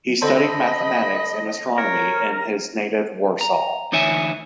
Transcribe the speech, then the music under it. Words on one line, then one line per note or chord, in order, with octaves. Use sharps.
He studied mathematics and astronomy in his native Warsaw.
D3 C4 A4 D#5 B5
A#4 C#5
A#5
D2 E3 D#4 C#5 E5 G#5